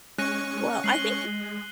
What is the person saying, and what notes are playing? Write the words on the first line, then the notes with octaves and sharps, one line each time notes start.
Well, I think
G#3 C#4 C#6 F#6 A#6 D#7
G#3 C7 F#7 G7